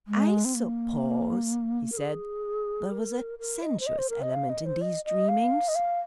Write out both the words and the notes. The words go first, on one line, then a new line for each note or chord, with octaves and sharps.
"I suppose," he said, "there was a sensuous element in these dreamings?"
G#3
C4
A#3
A#4
G#4
A#4
A#4
D#5
C5
D#5
C5
A#4
D#5
F5
D#5
C5
D#5
D#5
F5
D#5
F5